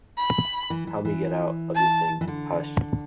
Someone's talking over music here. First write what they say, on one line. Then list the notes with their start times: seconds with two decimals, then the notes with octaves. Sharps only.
Help me get out of this thing. Hush!
0.18 B5
0.70 E3
0.87 E3
1.05 E3
1.75 A5
2.21 E3
2.27 D3